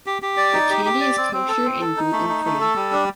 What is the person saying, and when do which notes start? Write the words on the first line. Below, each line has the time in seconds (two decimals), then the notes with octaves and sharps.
The candy is kosher and gluten-free.
0.06 G4
0.22 G4
0.37 D5
0.53 D#4
0.70 G4
0.85 G4
1.01 D5
1.18 C4
1.33 C4
1.48 A4
1.65 C4
1.81 A4
1.97 D#4
2.13 A3
2.29 D#4
2.45 A3
2.61 A4
2.76 G3
2.92 D4